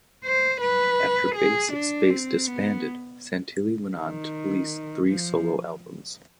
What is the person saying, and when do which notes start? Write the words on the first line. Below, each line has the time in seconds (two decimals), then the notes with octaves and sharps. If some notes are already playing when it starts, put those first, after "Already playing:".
After Bass is Base disbanded, Santilli went on to a release three solo albums.
0.25 C5
0.62 B4
1.36 G#4
1.73 D4
2.10 C4
2.47 B3
3.96 D#3
5.08 F3